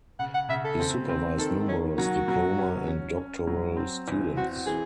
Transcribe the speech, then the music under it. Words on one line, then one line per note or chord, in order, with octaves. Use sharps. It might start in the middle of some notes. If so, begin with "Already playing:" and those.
He supervised numerous diploma and doctoral students.
C#3 F#5
F#5
C#3 E5
A4
C4
C4
D#3 A4
D#3 C#4
F#3 F#4
F#3
C#4
C#4
C#4
F#3
C4
E2
C4 F#4
E3 G#4